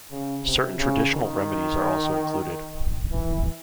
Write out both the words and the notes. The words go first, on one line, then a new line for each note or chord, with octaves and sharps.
Certain traditional remedies are also included.
C#3
C3
C#3
D#3
E3